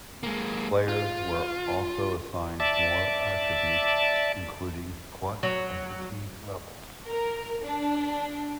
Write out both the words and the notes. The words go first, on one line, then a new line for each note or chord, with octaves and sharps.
Players were also assigned more attributes, including clutch and fatigue levels.
G#3 A#3
F4
D5 E5 A5
F#3
A#4
D4